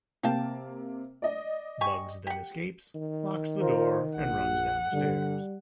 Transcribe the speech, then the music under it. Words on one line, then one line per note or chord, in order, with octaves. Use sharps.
Bugs then escapes, locks the door, and runs down the stairs.
C3 A#3 F5 G5 A5
D5 D#5
G4 G#5 C#6
G4 F#5
D#3
F4 A#4 C5
A#1 F#5
G2 D3 G3